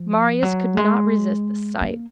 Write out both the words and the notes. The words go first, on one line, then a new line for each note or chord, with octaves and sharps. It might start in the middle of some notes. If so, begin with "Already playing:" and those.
Marius could not resist this sight.
Already playing: F3
F#3
G#3
A#3